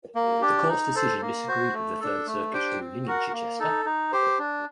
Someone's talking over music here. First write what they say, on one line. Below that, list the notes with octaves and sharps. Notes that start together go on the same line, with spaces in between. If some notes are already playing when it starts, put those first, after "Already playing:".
The Court's decision disagreed with the Third Circuit's ruling in "Chittister".
A#3
D4 G4
D#4
A4 C5
A#3
F#4 C5
A3
D4 A4
A3
D4 G4 C5 G5
C4
F#4 A#4 F#5
A#3
D#4 A4
D#4
G4 C5
D4